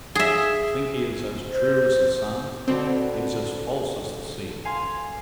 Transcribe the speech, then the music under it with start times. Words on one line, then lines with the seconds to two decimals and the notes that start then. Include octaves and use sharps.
You think he is as true as the sun--he is as false as the sea.
0.15 G#4 E5
1.49 C5
2.67 B2 D3 C4
4.65 F5 G#5 C6